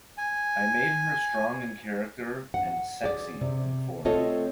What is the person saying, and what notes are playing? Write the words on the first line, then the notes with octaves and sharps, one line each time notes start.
I made her strong in character and sexy in form.
G#5
F#5
G#4 D5
C3
A3 C4 F4 A4 C#5 D#5